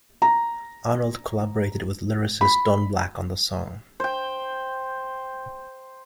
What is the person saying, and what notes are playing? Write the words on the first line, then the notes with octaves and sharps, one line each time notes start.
Arnold collaborated with lyricist Don Black on the song.
A#5
B5
C5 G5